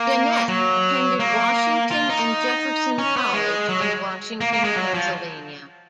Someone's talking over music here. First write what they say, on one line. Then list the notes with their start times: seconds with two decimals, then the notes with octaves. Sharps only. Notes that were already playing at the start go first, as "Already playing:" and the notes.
Jeannette attended Washington and Jefferson College, in Washington, Pennsylvania.
Already playing: A#3
0.49 F#3
1.20 A#3
1.91 F4
2.09 D#4
2.98 C#4
3.16 B3
3.33 G#3
3.69 F#3
3.81 G#3
4.41 A#3
4.53 A#3
4.64 G#3
4.76 F#3
4.94 F3